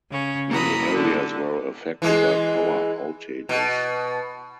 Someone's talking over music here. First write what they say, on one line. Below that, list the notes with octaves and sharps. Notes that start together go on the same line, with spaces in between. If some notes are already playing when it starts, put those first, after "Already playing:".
Many areas were affected by power outages.
C#3 C#4
A#3 E4 F#4 A#5 B5 D#6
D3
E3 G#3
B2